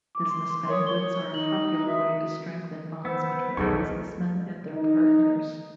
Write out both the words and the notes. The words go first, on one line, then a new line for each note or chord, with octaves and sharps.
Business banquets are a popular way to strengthen bonds between businessmen and their partners.
D6
C6
A#4 C#5 D#6
C#5 G7
D#4 F#7
F#4 E5 D#6
B3 C5 E6
B1 E2 D#4 G#4 A4 C#6 G6
D#4